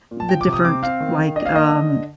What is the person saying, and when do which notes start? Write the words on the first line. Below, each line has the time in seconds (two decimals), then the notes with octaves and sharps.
the different, like, um
0.11 A#2
0.20 A5
0.29 F3 G5
0.41 D6
0.47 C3
0.53 D#6
0.65 C4 D6
0.83 C4 F5
1.00 D#3
1.18 D#3
1.36 D4 D#5
1.46 F5
1.54 A#3 D#5
1.72 D3
1.89 D4